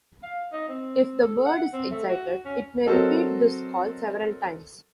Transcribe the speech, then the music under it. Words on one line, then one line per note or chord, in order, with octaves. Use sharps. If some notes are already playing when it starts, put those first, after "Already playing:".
If the bird is excited, it may repeat this call several times.
F5
D#4
C4
A4
F#5
C4
A3
F#4
C#4
F#3 C4 F#4 A4 A#4 D#5